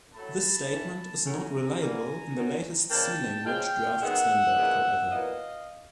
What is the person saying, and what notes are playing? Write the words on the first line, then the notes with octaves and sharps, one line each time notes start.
This statement is not reliable in the latest C language draft standard, however.
A2 F#3 A3 A5 B5
A2 E3 A3 C#4
C#3 F#3 A3 C#4 E4 G#5 A#5
B2 G3 A#3
F#2 D#3 F#3 B3
C#3 F3 A#3 D4 G5 A5
C#3 F3 G#3 F5 G5
F#2 D#3 G#3 B3 D#4 E5 F#5
A#2 F3 G#3 B3 E4
A#2 F#3 B3 E4 D#5 F5